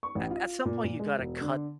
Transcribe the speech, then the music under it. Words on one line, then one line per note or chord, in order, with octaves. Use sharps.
a at some point, you gotta cut
C#6
A1
F4
A#2
A#2
G#3
E1
D3